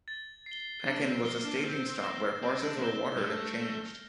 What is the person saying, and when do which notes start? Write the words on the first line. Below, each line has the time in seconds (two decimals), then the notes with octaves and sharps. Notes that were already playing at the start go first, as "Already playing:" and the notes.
Pekin was a staging stop where horses were watered and changed.
0.08 A6
0.46 C7
0.51 G7
0.86 D4 A6
1.01 A#3
1.05 C4
1.25 A#3 C7 G7
1.45 D4
1.56 A#3
1.64 C4 G6
2.03 A#6 E7 G7
2.42 C4 G6
2.62 D4
2.76 A#3
2.81 C4 A#6 E7 G7
3.17 G3
3.21 A3 F6
3.60 A#6 E7 G7